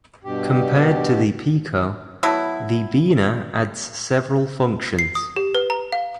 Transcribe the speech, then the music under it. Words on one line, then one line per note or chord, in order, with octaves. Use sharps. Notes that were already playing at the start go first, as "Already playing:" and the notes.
Compared to the Pico, the Beena adds several functions.
G2 B2 G4
F#3 A3 B3 E4
C7
D#6
G4
B4
A#5
F5